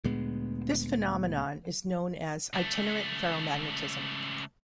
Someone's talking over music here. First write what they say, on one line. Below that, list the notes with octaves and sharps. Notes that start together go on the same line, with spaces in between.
This phenomenon is known as "itinerant ferromagnetism".
D2 A#2 G#3 B3
C#2 A3